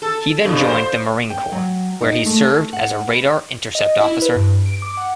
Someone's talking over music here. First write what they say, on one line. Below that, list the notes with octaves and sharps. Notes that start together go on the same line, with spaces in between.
He then joined the Marine Corps where he served as a Radar Intercept Officer.
A4
G2 B2 F3
C5
G5
F#3
D#4
A3
F#5
B4
D#5
E4
B4
G2
D7
D6
F#5